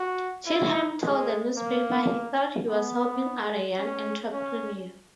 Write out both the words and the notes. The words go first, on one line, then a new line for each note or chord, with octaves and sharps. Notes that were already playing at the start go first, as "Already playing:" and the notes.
Cheatham told the newspaper he thought he was helping out a young entrepreneur.
Already playing: F#4
E4
G#3
A#3
B3
C#4
C#4